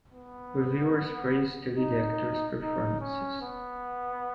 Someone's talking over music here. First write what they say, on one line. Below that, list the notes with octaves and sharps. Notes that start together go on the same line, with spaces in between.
Reviewers praised the lead actors' performances.
B3
D#4
D#4
C#4
B3